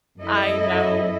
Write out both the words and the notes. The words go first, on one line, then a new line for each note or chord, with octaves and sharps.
I know.
F#2 F#3 E4 A4 D#5